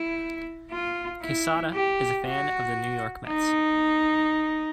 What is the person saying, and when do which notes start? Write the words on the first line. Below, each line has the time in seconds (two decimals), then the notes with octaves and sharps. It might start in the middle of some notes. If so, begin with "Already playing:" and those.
Quesada is a fan of the New York Mets.
Already playing: E4
0.71 F4
1.22 E4
1.73 G4
2.24 F#4
3.27 D#4